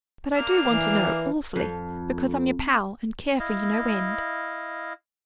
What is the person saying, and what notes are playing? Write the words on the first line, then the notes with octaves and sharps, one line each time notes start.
'But I do want to know, awfully, because I'm your pal, and care for you no end.
A#3 D4 F6
E3
F2
E4 D#5 F5